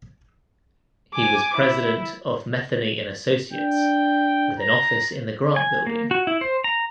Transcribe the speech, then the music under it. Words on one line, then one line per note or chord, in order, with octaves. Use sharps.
He was president of Metheny and Associates with an office in the Grant Building.
G#5 D6
E4
D4 G5
A#5
G#5
A#3
F#4
E4
C5
A#5